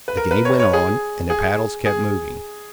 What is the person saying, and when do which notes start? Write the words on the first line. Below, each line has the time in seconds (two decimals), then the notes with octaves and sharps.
The game went on, and the paddles kept moving.
0.08 B4
0.17 A#4
0.31 B4
0.45 C#5
0.60 C#5
0.73 G#4
1.30 G#4
1.86 G#4